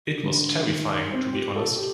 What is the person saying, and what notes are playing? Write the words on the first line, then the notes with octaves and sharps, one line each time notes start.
It was terrifying, to be honest.
D3
D#3
C4
G4
A4
G4